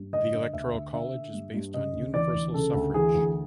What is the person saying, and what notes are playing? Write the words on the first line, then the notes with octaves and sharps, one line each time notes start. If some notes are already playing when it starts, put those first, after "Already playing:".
The Electoral college is based on the universal suffrage.
Already playing: G2
D3 D#5
D3
D2 E5
D2
D3 E5
D3
G2
G2
C#3 D#5
D2
E3 D5
D2
C#3 A4
D2
E3 G#4
D2